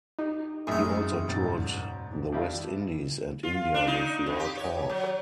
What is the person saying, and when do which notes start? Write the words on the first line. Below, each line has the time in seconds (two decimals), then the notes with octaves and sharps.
He also toured the West Indies and India with Lord Hawke.
0.19 D#4 G4
0.67 G#1 F#2 A2 D#4 G#4 E5 D#6
1.28 E1 G#2 A6
2.32 D#3 G3 D4 E4 F4
3.43 F4
3.74 D4
3.87 D#4
4.26 F2
4.39 G4
4.57 C#5
4.90 F#3